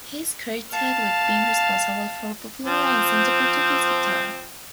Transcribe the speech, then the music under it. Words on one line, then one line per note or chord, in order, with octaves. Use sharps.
He is credited with being responsible for popularising the Portuguese Guitar.
F5 A5
F3 C4